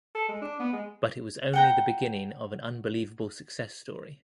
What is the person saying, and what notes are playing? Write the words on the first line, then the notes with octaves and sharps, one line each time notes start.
But it was only the beginning of an unbelievable success story.
A4
G#3
D4
B3
G#3
F#5 G5 A#5